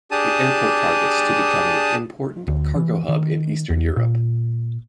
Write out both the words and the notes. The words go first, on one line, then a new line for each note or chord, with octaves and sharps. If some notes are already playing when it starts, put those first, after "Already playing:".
The airport targets to become an important cargo hub in Eastern Europe.
D4 G4 G#4 A5 D#6
D2
E3
D#3
E2
A#2